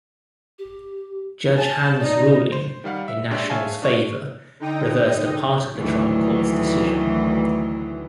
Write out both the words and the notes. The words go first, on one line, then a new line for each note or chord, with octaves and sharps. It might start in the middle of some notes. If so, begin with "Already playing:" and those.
Judge Hand's ruling in National's favor reversed a part of the trial court's decision.
G4
G#5 A5
D#4 D5
C5
D#3 G3 F5 F#5
E5
G#3 D4 G4 C#5 E5 G5
C#5 E5 F5 G#5 A5
B2 D4 F4 C#6
D3 D#4 G5 D#6
D2 D#3 E3 F#3